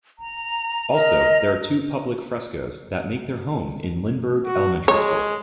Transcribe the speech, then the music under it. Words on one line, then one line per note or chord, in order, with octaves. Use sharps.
Also there are two public frescoes that make their home in Lindbergh Elementary School.
A#5
A#4 D#5 A#5
F#4
G#3 C#5